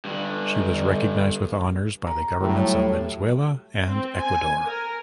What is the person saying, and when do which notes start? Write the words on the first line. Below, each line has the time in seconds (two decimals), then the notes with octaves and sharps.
She was recognized with honours by the governments of Venezuela and Ecuador.
0.05 G2 D3
2.07 A#5
2.40 A2 F#3 G3
3.86 C4
4.16 G#5
4.64 A#4